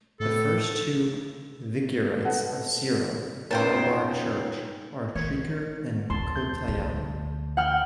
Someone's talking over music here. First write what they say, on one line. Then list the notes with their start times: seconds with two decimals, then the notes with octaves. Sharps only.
The first two Vicariates of Syro Malabar Church are Trichur and Kottayam.
0.20 A2 A4
2.25 A4 B4 D#5 F#5
3.51 F2 C#3 B3 D#4 A#4 C5 G5 A5
5.15 D#3 C#5
6.10 D#2 B2 A5 C6
6.35 G6
6.68 D2
7.57 F#5 G5 F6